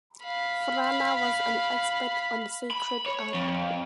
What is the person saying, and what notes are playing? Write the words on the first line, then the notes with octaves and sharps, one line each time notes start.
Frana was an expert on sacred art.
F5 B5
B5
C#5
F2